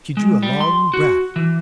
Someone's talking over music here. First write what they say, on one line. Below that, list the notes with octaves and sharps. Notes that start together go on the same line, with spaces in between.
She drew a long breath.
G#3
G3
C6
F#4
E3